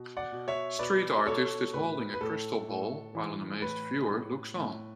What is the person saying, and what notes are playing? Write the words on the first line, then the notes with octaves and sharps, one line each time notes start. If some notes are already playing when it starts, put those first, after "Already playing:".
Street artist is holding a crystal ball, while an amazed viewer looks on.
Already playing: B2
D5 F#5
B2
C#5 E5
B2 B4 D5
B2 A4 C#5
A2 B4
B4
A2 A4
A2
E3
A2 B4
A2
A2